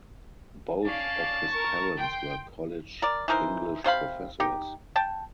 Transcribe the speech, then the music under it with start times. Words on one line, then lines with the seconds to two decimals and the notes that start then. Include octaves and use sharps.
Both of his parents were college English professors.
0.85 C#4 D5 F5 A5
1.50 A#4 C#6
1.98 G5 C6
3.02 A#4 D5
3.28 E3 D#4 A#4 C5
3.84 C3 C5 F5 B5
4.40 D#4 G4
4.96 G5 A5